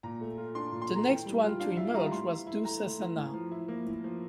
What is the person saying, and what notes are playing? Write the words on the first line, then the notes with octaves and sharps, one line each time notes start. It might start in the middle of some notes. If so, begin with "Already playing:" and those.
The next one to emerge was Dussasana.
A#2 A#5
A3
F4
D4 C6
A#2
C6
A3
A#5
E3 G5
G3
F4
D4 F5
E3 E5
G3 A#5
A2 C6
E3
E4
A3 A#5
A2
E3
A2
F3
E4
A#3
A2
F3